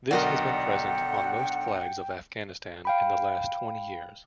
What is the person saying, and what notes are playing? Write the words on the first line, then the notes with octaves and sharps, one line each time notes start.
This has been present on most flags of Afghanistan in the last twenty years.
B1 D3 F#4 A#4 D5 D#5 F#5 G5
F5 G5 B5